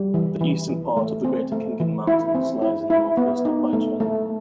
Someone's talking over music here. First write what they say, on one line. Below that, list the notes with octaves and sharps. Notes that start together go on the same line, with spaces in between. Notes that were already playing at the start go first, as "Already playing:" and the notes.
The eastern part of the Greater Khingan Mountains lies in the northwest of Baicheng.
Already playing: G3
E3
E3
E3
A3
C4
A3
E3
E4
C4
E4
E4
B3
D#4
A3
A3